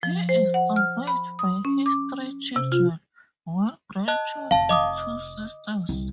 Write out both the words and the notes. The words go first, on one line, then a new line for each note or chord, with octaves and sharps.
He is survived by his three children, one grandchild, and two sisters.
F3
C5
F#5
F6
B5
D#6
C#4
D6
C3
F4
D#5 A5 F#6
F1 F5 A5
D#5 D6 D#6
C2